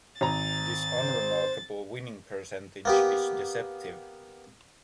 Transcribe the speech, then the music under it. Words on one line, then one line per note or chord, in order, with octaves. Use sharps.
This unremarkable winning percentage is deceptive.
G#1 A#5 A6
C5
A#3 B3 G4